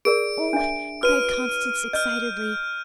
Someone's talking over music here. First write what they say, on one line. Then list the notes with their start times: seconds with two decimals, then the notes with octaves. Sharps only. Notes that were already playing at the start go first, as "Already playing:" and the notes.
"Oh," cried Constance excitedly.
0.05 G#4 A#4 D5 D7
0.53 D4 E5
1.03 F#4 B4 C#5 F6 D#7
1.93 D#5 F6 G6